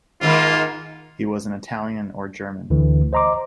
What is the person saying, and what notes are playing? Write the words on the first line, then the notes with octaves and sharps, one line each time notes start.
He was an Italian or German.
G#2 D#3 A#3 F4
D2 D3 E3
C5 D#5 A#5 C6 D6